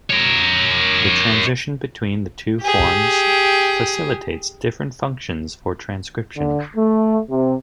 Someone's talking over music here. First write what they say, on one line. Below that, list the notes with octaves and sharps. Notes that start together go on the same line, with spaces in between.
The transition between the two forms facilitates different functions for transcription.
A#4 C#5
G4 G#4
D3
A3
C3